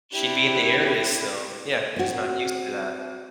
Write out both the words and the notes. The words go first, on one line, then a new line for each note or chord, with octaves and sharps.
She'd be in the area still, yeah. She's not used to that.
C4 D4 E4 G4
C4 F#4